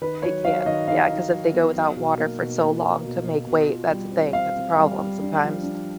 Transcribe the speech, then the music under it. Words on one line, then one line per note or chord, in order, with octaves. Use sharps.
It can yeah, 'cause if they go without water for so long, to make weight that's a thing, that's a problem sometimes.
D#3 B4
F#3 C#5
F#3 F5
D#3 D#5
D#4 F5
D#4
F#3
B3
F#3
B2
A#3
B2
A#3
A#3
B2
B2
B2
F4
G3
C4
C4 F5
C4
G3
G3
D4
F3
D4